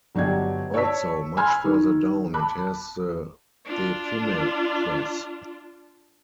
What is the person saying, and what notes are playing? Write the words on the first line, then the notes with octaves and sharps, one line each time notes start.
Also, much further down it has The De Vinne Press.
G1 F#3 D4 G4 D#5 G#6
C#5 D5 A5 E6 B6
G#5 B5 C6 E6 F6 G#6
D#3
A5 B5 D6 F#6
D4 F4